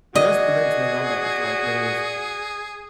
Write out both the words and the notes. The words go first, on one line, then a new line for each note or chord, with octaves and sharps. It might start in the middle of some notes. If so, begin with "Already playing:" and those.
but that's the next thing I'm about to try 'cause
F#4 G#4 D5 D#5